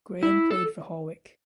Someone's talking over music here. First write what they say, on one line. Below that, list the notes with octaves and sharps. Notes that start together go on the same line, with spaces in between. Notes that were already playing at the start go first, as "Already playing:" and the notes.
Graham played for Hawick.
E4
A4